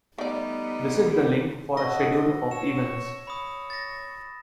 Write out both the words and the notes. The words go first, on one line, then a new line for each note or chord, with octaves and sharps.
Visit the link for a schedule of events.
G3 A3 B3 D#4 D5
D#5 F#5 A5 C#6 E6 A#6
C#5 E7
C#5 B5 D#6
A6 A#6